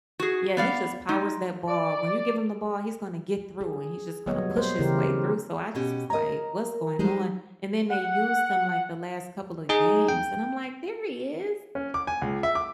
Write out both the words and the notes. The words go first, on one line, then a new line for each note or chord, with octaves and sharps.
Yeah, he just powers that ball. When you give him the ball, he's gonna get through and he's just gonna push his way through. So, I just was like, "What's going on?" And then they used him, like, the last couple of games, and I'm like, "There he is!"
F#4 G#4
B3 D5 F5
G#3 D#4
D5
G#4
F#3 G3 B3 C#5 D#5
C5
C#3 E3 E4 G4 A#4
B2 C#4 G4
A#4 C#5 D#5 A#5
G3 G#3 D#4 C5
F#5
D#4 G#4
G5
C#4
D6
G#5
C#2
E5
D6